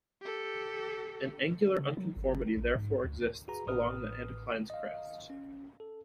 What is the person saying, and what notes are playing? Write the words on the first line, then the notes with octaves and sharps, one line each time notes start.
An angular unconformity therefore exists along the anticline's crest.
G4 A4
C#3
F#3
G1
A#1
G#2
D2
F#4 G#4 B4 A#5
A1 A2 B4 D#6 F6
D#5 F5
C#4
A4